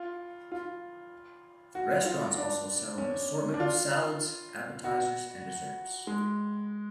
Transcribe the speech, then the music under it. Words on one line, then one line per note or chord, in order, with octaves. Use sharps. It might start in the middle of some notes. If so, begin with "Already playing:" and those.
The restaurants also sell an assortment of salads, appetizers, and desserts.
Already playing: F4
F4
F#4
F4
D4
C#4
D4
F4
F#4
G#3